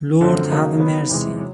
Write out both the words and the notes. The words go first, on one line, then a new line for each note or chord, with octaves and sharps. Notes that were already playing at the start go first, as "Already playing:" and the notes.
Lord, have mercy.
F#2 D3 F3 A3 C4
C#3 F#3 A#3 D#4 F#4
F#3 B3 D#4
E2 C3 E3 G#3
F#3